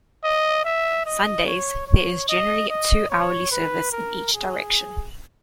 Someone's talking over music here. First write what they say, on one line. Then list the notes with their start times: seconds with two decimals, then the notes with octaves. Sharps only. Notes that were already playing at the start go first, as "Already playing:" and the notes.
Sundays, there is generally a two-hourly service in each direction.
0.24 D#5
0.65 E5
1.06 D#5
1.47 C#5
1.87 C#5
2.29 D#5
2.69 D#5
3.10 C#5
3.51 B4
3.92 A#4
4.33 G#4